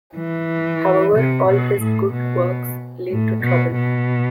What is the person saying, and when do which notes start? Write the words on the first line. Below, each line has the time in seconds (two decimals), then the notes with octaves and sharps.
However, all his good works lead to trouble.
0.17 E3
1.16 C3
1.49 B2
1.81 A2
2.13 B2
3.11 A2
3.43 B2
3.76 B2